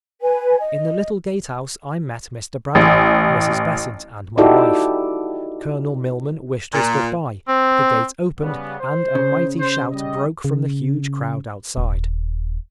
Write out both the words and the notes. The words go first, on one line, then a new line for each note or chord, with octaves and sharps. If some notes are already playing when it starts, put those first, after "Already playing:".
In the little gate-house I met Mr. Bradlaugh, Mrs. Besant, and my wife. Colonel Milman wished us good-bye, the gate opened, and a mighty shout broke from the huge crowd outside.
B4 G#5
D#5
A1
D#4 E4 F#4 G4 A4 D5
A#2
C4
C#3 G3 B3
C5
C#3
C5
G3 D#5
C#3
D#1